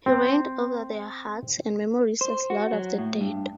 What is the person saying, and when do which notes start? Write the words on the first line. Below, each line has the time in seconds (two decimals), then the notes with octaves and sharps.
He reigned over their hearts and memories as lord of the dead.
0.06 C4
2.21 C5
2.50 F#4
2.73 F#3
2.98 A2
3.21 G2